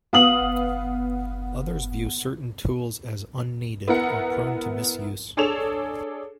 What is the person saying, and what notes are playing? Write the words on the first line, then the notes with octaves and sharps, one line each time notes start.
Others view certain tools as unneeded or prone to misuse.
B3 F5 D#6 F#7
B3 E4 A#4 F#5
D4 G#4 A4 C#5 E7 F7